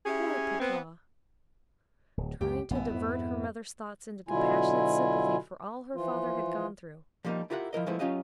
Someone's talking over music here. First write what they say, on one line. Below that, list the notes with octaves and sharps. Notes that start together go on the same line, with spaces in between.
'Poor papa!'--trying to divert her mother's thoughts into compassionate sympathy for all her father had gone through.
C#4 E4 G4 G#4
B3 C4
D1
C#2 F#2 G4 G5
A1 F#2 B2 B3 E4
F2 G#2
B2 D3 F#3 E4 F4 G#5
E3 F3 F4
F3 G3 A#3 D4 D#4 A#4
E4 F4 G4 A#4 E5 F#5
F3 E4 A#4 D#5
F3 G#3 A3 B3 E4 C5
F#3 C#4 F4 G4 D#5 F5